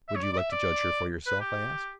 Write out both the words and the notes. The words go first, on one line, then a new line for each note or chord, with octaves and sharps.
"Would you like to judge for yourself?" I asked.
E5
C#5
D5
D5
E5
D5
B4
G4